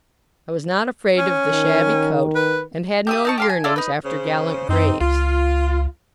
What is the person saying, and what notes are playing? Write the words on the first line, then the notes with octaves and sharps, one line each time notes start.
I was not afraid of the shabby coat, and had no yearnings after gallant greys.
C#4
D#3
B4
G4 E5 D#6
D#4 A5 C#6
G4 F5 C6
G#5
E4 F4 A4 D5
D#4 B4
C#3 C5
F#2 C4 D#4
C#2 F4